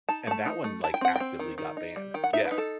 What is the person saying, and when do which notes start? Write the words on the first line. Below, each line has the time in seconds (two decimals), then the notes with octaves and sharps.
and that one, like, actively got banned. Yeah.
0.09 D#4 A5
0.27 A3 A5
0.45 D#4
0.64 A3
0.84 E4 A5
0.94 G5
1.01 C4 F#5
1.16 C4 G5
1.39 D#3
1.58 D#3
1.77 D#4
1.96 G3
2.14 D#3 G5
2.24 F#5
2.33 D#4 E5
2.45 B4
2.51 D#4
2.58 A4